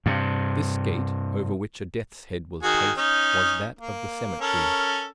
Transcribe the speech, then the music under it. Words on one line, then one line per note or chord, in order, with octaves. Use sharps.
This gate, over which a death's-head was placed, was that of the cemetery.
G2 C3
D#3 F#4 G#4
C#4 D#4
A#3
C#4 A4 A#4